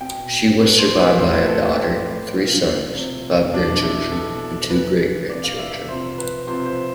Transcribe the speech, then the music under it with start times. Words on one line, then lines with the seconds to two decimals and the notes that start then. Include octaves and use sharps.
She was survived by a daughter, three sons, five grandchildren; and two great-grandchildren.
0.01 B2 G5
0.60 B2 B4
0.79 C5
1.00 B4
1.18 A2 F3 C5
1.33 B4
1.48 A4
1.62 G4
1.77 A2 F3
2.36 C3 F3 F4
2.94 C3 F3
3.53 B2 D4
3.82 E4
4.11 B2 A4
4.70 C3 E3 B4
5.29 C3 E3 D5
5.44 F5
5.59 E5
5.73 E5
5.88 C3 F3 C5
6.18 B4
6.47 C3 F3 C5
6.66 C5